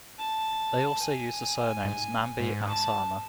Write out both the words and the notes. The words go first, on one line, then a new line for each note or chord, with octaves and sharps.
They also use the surnames Nambi and Sarma.
A5
G#5
G#2
G#2
A5